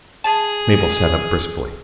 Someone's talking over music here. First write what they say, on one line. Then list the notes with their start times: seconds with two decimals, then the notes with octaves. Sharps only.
Mabel sat up briskly.
0.24 G#4 A5